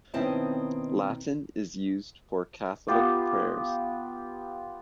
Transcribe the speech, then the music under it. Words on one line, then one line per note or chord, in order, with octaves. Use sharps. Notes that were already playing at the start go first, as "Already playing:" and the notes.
Latin is used for Catholic prayers.
B2 D#3 C4 C#4 E4 A5
B3 F4 G4